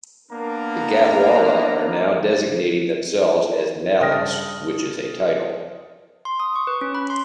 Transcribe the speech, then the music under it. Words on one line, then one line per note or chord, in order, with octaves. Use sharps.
The Gathwala are now designating themselves as Maliks, which is a title.
A#3 B3 D4 A#4 A#5
G2 C#3 D4 G5 D#6 F6 A#6
C6
D#6
C#6
B4
C#4
B5
C6